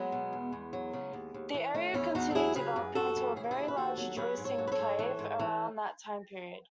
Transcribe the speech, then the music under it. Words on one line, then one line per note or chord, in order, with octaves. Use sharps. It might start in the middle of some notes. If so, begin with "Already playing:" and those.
The area continued developing into a very large Jewish enclave around that time period.
Already playing: F#3 G#3 B3
B2
E2
E2
F#3
C#3
D#2
D#2
E3
D#3 A3 C#4
E2 C#4 E4
E2 D#4 F#4
A4
F#3 E4 G#4
C#3 G#4 B4
F#2
F#2 F#4 A4
E3
C#3 G#4
A4
E4 G#4
D#2
B4
D#2 F#4 A4
F#3
F#3 G#4 B4
G#2
A4 C#5
F#3
B4
A4 C#5
G#2
E3
G#2
E3